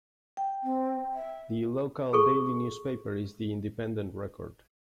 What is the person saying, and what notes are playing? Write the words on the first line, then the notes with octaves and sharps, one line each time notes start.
The local daily newspaper is the "Independent Record".
G5
C4
E5
G#4 A4 C#6